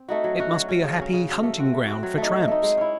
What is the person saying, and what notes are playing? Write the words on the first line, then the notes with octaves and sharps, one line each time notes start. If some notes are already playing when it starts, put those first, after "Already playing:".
"It must be a happy hunting ground for tramps?"
Already playing: C4
A3 D#4 F#4
F#3
C#4 F#4
F#3
C#4 F#4
C#3
F#3 C#4
C#3
F#3 C#4
A3
C4 F#4
A3
C4 F#4
F#3
A3 D#4
F#3
A3 D#4
G#3
C#4 E4